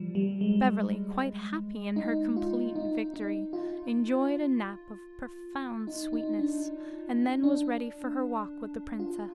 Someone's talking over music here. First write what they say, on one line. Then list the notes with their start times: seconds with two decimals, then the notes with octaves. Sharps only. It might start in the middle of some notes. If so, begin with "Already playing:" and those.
Beverly, quite happy in her complete victory, enjoyed a nap of profound sweetness and then was ready for her walk with the princess.
Already playing: F3 G3
0.15 G3
0.41 G#3
1.96 D#4
2.36 F4
2.75 D#4
3.14 D#4
3.53 F4
5.87 D#4
6.13 D#4
6.39 D4
7.43 D4
8.99 F4